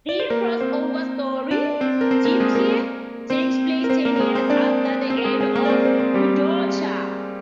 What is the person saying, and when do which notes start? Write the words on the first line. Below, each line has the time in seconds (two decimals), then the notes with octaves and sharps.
The crossover story, "Deep Clear", takes place ten years after the end of "Kodocha".
0.09 D5
0.20 C5
0.30 A#3 A#4
0.61 C4 C5
1.51 D4 D5
1.81 C4 C5
2.01 A#4
2.11 C4 C5
2.25 A#3 A#4
2.40 G#3 G#4
2.55 A#3 A#4
3.30 C4 C5
3.84 A#4
3.90 C4 C5
4.05 A#3 A#4
4.16 A#4
4.20 G#3 G#4
4.35 C4 C5
4.50 D4 D5
5.10 C4 C5
5.18 A#4
5.24 G#3 G#4
5.41 G#3 G#4
5.56 A#3 A#4
5.65 D5
5.70 C4 C5
5.85 C4 C5
5.99 C4 C5
6.14 G3 G4